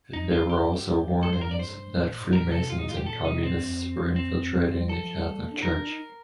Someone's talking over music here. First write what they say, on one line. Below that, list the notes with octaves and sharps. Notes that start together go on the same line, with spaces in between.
There were also warnings that Freemasons and Communists were infiltrating the Catholic Church.
F2 D#4
G2
F4
G2
G2 G4
G2 A4
C5
A#4
D5
C5
A2
A#2
G2
A#2 A#4
C3 A4
A#2 F4
A2 D#4
F4
G2 G4
A#2 A4
C3
D#4
C3
A#2 C4
G2
F2
C4
G2
F3
G3
F3 A4
F3
G3
G3
A#3
D4
D#4 A#4
D4
D#4